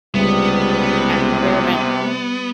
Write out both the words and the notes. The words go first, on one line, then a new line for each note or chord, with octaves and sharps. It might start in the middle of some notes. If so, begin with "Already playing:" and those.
at at the bare minimum.
C#2 C3 G3 B3